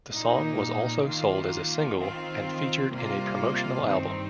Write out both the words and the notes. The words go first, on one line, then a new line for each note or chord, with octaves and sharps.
The song was also sold as a single and featured in a promotional album.
A#2 A#3 D#4
D#3 A#3 F4
D#3 C4 F4
C3 G3 A#3 F4
G2 D#3 C4 D#4